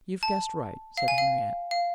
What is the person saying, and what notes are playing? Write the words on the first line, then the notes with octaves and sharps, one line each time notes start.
"You've guessed right," said Henriette.
A5
F5
G#5
F5
F5